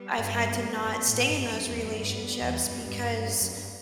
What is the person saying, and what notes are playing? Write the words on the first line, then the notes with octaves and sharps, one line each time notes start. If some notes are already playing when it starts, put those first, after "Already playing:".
I've had to not stay in those relationships, because
Already playing: G3 B3
G2
F#2
A2
G2
F#2 G3 B3
E2
F#2
G2
E2
F#2
G2
F#2
G2